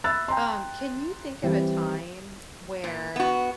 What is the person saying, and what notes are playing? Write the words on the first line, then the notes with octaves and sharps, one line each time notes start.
Um, can you think of a time where
E5 B5 E6 F#6 A6
G5 A#5 C6
E3 G3 C4
A#2
B3 F#4